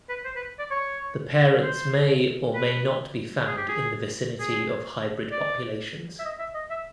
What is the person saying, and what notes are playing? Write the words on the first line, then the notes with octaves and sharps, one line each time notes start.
The parents may or may not be found in the vicinity of hybrid populations.
B4
C5
B4
D5
C#5
C5
B4
G#4
G4
G#4
G#4
D5
E5
D#5
E5
D#5
E5